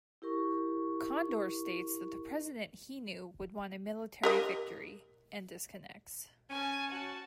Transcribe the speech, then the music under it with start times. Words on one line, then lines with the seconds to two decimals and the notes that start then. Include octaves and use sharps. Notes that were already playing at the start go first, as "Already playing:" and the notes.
Condor states that the President he knew would want a military victory, and disconnects.
0.22 E4 G4 A#4 C#6
4.23 G4 A#4 D#5
6.50 C#4 G#5 A5
6.91 F#4 A5